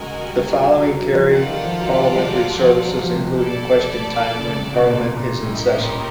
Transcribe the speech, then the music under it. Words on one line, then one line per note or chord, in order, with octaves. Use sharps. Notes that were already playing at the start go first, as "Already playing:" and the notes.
The following carry parliamentary services, including Question Time, when parliament is in session.
Already playing: C#3 G#3 F#4 A#4 D#5 G#5
G3
F#3
F#3
F#3
F#3
F3
D#3 F4 A4 D5 F#5
D#3
F3
F#3
G3
G#3
G3
F#3
F3
F#3
F3
C3
B2
E4 A4 D5
C#3
C3
B2
A#2
A#2
A2 C#4 E4 G4 A#4 D#5
A2
A#2
A#2